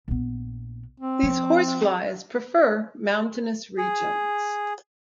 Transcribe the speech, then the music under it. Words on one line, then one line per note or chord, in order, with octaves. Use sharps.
These horse flies prefer mountainous regions.
A#1 B3
C4
F3
G#4